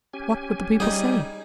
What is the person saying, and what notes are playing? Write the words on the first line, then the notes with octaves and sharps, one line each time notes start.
What would the people say?
C#4 G4 G#5
G3 D#4 G#4